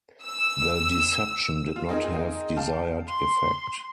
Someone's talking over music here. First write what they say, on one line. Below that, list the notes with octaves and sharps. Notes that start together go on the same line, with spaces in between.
The deception did not have desired effect.
E6
F4
C4 D#4 G#4 A#4
F5 G5 A5
C6